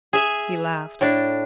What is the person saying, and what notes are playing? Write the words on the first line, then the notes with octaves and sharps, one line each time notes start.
He laughed.
G#4 E5
A2 D4